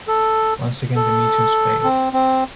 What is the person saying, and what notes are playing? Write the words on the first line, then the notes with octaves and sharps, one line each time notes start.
Once again the missions failed.
A4
A4
C4
C4